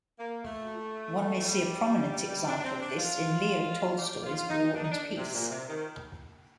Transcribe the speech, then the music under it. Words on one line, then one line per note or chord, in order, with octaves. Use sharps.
One may see a prominent example of this in Leo Tolstoy's "War and Peace".
A#3
A3
G3
D4
D4
C4
D4
F4
G4
F4
D#4
D4
D#4
D4
C3
A#2
C3
D#3